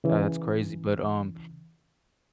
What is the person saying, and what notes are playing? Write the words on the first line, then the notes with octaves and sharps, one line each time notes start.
That's crazy, but um,
C#3 E3